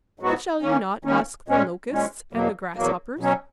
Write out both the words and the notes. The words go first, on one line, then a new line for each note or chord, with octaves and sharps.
"And shall you not ask the Locusts, and the Grasshoppers?"
G#2 F#3 B3 F#4
D#3 A#3 C#4
D#3 A#3 C#4
A#2 G#3 C#4
A#2 G#3 C#4
E2 B2 F#3 A#3
E2 B2 F#3 A#3
B2 F#3 C#4